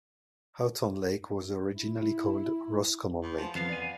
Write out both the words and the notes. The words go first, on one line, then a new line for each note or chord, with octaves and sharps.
Houghton Lake was originally called "Roscommon Lake".
E4
E2
F3
F2 B3 F5
D5 F5 G#5